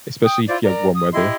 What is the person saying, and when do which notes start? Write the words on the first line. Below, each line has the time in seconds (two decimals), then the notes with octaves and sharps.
especially if you have warm weather,
0.23 G5 D#6
0.47 E4 F4 C5 D5
0.63 A#4 D5 A#5
0.95 D#6
1.12 E4 G4 D#5 C6